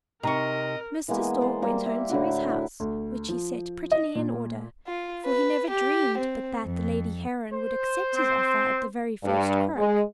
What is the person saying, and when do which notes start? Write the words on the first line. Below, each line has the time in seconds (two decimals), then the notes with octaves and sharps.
Mr. Stork went home to his house, which he set prettily in order: for he never dreamed but that the lady Heron would accept his offer at the very first croak.
0.23 C3 D#4 A#4 D#5 A#5 C#6
1.08 E3 G#3 A#3 B3
1.41 C5 D5
1.62 G3 A#3 C5
1.86 E5
2.10 A2 D3 E4 F#4
2.50 E4
2.80 D2
3.29 F3
3.92 D#5
4.15 A#2
4.86 F4
5.25 B4
5.70 G4
6.17 C4
6.65 F2
7.53 C5
8.16 C4
9.24 G2
9.76 G#3